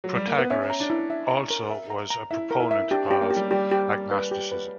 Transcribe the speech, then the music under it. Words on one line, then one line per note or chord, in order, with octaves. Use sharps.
Protagoras also was a proponent of agnosticism.
F#3
G3
A#3
B3
C#4 E5
A#5
D4
E4
E5
A#5
A#4
E5
A#5
A#5
E4 E5
A#4
E4
E5
D4 G4
C#4
G4
A#3
G4
G3
G3 G4
G4
D5
B4
G4
B4